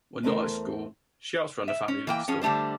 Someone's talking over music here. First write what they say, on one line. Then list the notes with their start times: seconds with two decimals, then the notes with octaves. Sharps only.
When not at school, she helps run the family liquor store.
0.23 E2 A3 C4 A4 A#4 C5
1.68 E5
1.88 C#4
2.07 E3 A#3 G5
2.28 F3 C#4 G#4
2.41 D3 G3 A3 D4 C5